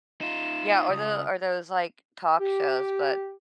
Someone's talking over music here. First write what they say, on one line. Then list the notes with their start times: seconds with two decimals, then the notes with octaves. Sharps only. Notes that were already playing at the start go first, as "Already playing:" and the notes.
Yeah, or the or those like talk shows, but
0.21 D#4 F4 E7
0.89 C#2 D#6
2.40 G4